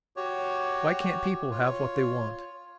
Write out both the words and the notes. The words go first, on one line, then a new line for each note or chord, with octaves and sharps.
Why can't people have what they want?
F#4 G4 C#5
F4 C#5